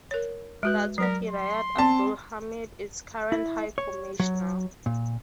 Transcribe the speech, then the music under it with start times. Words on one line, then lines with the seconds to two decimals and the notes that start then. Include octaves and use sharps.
Dato’ Hidayat Abdul Hamid is current High Commissioner.
0.11 A#4 C#5
0.63 G#3 F#4 B4 F#6
0.98 F#3 A#4 D5
1.28 C6
1.78 C4 D5 A5
3.32 E4
3.78 C#5
4.20 F#3
4.86 A#2